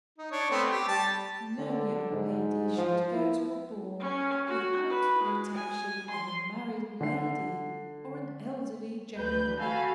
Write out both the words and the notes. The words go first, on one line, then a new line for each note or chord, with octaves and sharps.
No young lady should go to a ball, without the protection of a married lady, or an elderly gentleman.
D#4
D4 C#5
A3 B3 C4
G4
G3 A5
D3
G#2
F3
E4
C#4
F#4
B4
G#3
G#5
C6
D3 C7
D2 B4 G6
F#4 A4 F5 G#5 B5